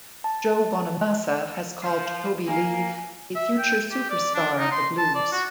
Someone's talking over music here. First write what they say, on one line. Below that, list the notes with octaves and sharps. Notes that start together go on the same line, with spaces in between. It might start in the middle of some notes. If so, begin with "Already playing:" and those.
Joe Bonamassa has called Toby Lee "a future superstar of the blues".
A5
F4 C5
A#3 G#5
E5
G5
G4
D5
D4
D#4
C6
A5
D5
F#4